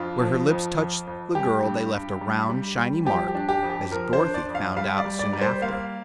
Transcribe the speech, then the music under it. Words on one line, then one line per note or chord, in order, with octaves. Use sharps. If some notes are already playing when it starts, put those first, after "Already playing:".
Where her lips touched the girl they left a round, shining mark, as Dorothy found out soon after.
Already playing: F2 D4 F4
F3
F2
F2
F2
G3 G4
G2
G2
G3
G3
G3
F3 G4
G4
D4
G4
F2
G4
F3 A#4
C5
D4
D5
F2
F5
G3 F5
D5
G3
D5
G3
C5
A#3 F5